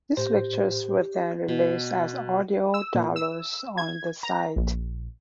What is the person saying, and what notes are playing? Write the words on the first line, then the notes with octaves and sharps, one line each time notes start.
These lectures were then released as audio downloads on the site.
A2 G4 C5
B2
E6
A#2
E6
G#6
A#5
A#1